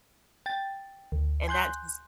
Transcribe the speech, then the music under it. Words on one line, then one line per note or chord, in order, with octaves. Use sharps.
And that just
G5 A6
D2
G#5 C6 F#6 G6